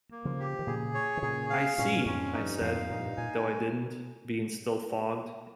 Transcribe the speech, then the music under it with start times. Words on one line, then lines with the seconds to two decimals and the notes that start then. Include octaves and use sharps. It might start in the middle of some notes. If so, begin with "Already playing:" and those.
"I see," I said, though I didn't, being still fogged.
0.11 A#3
0.25 C#3 F3
0.40 G4
0.59 D#3
0.67 A#2 C#3 G#4
0.94 C#5
1.17 D#3
1.22 A#2 C#3 G#4
1.50 F5
1.78 G2 A#2 C#4
2.06 F2 G#2 C#4
2.33 G2 D#4
2.61 F2 G#2 F5
2.89 G2 A#2 D#4
3.17 A#2 G#5